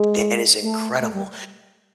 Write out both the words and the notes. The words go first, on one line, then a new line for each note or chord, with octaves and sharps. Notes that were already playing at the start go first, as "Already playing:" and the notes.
That is incredible.
Already playing: G#3
A3
A3
G3